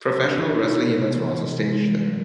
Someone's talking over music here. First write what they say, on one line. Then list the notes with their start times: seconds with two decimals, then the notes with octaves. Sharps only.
Professional wrestling events were also staged there.
0.09 B2
0.24 B2 D4
0.39 B2 E4
0.53 B2 D#4
0.68 B2 F4
0.84 C3 F4
0.98 C3
1.13 E3 B3
1.29 E3
1.43 C3 A3
1.58 C3 G#3
1.73 E3 G#3
1.88 E3 G3
2.03 B2 F#3